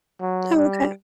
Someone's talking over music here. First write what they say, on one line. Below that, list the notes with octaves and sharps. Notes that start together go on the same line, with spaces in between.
Oh, okay.
F#3
G3